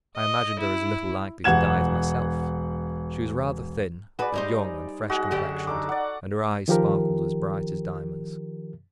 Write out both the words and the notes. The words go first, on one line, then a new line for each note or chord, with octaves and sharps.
I imagined her as little likely to die as myself. She was rather thin, but young, and fresh-complexioned, and her eyes sparkled as bright as diamonds.
D#5
E4
E1 F#5 G#6 E7
F#4 G#4 B4 D5
G3 D#4 C5
G#3 F#4
F#2 D3 G4
D#4 A4 D6
D5 F#5
D#3 F3 G4 A#4